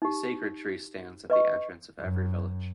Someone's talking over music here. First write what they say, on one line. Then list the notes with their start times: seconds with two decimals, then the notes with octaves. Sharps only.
A sacred tree stands at the entrance of every village.
0.02 D#4 G4
1.30 B4 D#5 C#6
2.00 F#2